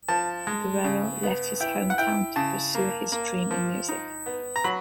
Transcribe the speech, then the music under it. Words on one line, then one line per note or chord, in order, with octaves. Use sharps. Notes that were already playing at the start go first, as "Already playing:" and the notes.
Guerrero left his hometown to pursue his dream in music.
F3 A5
G#3
C#3
B3
E4 G5
F#5
E4 G5
C#3 A5
A#3
A#3
F3
D#4
B3
A#5
F#3 B5